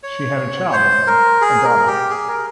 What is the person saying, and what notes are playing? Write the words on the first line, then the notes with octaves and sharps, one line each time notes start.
She has a child with him, a daughter.
C#5
C5
A#4
G#4
A#4
G4
G#4
A#4